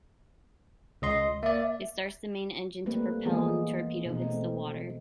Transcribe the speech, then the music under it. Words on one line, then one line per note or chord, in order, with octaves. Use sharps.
It starts the main engine to propel when the torpedo hits the water.
C#2 D#5 C6
A#3 D5 E5
G3 A3 A#3 C4 B4
E3 G#3 A#3 B3 G#4
B2 D#4
A3 C4